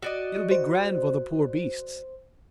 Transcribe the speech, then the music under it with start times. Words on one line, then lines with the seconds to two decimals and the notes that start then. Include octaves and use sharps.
It'll be grand for the poor beasts.
0.02 F#4 D5 D#5
0.51 C5